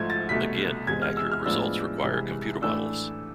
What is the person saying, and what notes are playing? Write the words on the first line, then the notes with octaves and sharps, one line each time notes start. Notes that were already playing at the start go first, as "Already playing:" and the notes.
Again, accurate results require computer models.
Already playing: G#2 F3 A3 G#6
A6
C2 B2 A3 B6
E2 C3 G#3 G#6
F6
E6
F6
A2 F3 G#3 B3 D4 E6
C2 C3 E3 G#3
A2 E3 A3 D4 E6